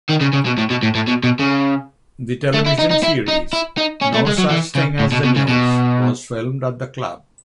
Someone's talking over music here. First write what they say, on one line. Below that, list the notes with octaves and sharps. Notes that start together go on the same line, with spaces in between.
The television series "No Such Thing as the News" was filmed at the club.
D#3
C#3
C#3
B2
A2
B2
A2
A2
B2
B2
C#3
A3
E4
D#4
D#4
E4
D#4
E4
D#4
C#4
A3
G#3
F#3
E3
C#3
A2
B2
B2
C#3
B2